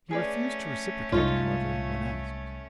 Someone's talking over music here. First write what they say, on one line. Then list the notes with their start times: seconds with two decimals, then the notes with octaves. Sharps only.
He refused to reciprocate, however, when asked.
0.11 A3 C#4 G#4 B4 D5
1.12 C2 G#3 D#4 F4 A4 C#5